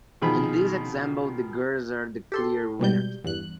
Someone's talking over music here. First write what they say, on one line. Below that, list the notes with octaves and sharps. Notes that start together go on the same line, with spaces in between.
In this example, the girls are the clear winners.
B2 D#3 F3 G#4 B5
G4 A4 C6
G#2 B2 G3 G6
E2 G2 F#6